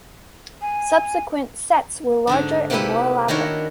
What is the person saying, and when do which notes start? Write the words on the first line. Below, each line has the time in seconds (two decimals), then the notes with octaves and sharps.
Subsequent sets were larger and more elaborate.
0.62 G#5
2.27 G#2 D3 D4
2.70 C3 A3 A#3 E4 G4 B4
3.28 D#3 D4 E4 F#4 A#4 C#5